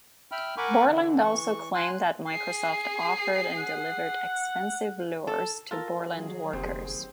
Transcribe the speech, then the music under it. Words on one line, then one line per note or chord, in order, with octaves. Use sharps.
Borland also claimed that Microsoft offered and delivered expensive lures to Borland workers.
E5 G5 B5 F6
A#4 F#5 G#5 B5 C#6 D6
D3 E3
E3 C#6
G#5 C6 F#6
G#4 C7
F#5
A4
F4 A4 A#4
D#3 F#3 G#4
F#1 D#2 C4 G4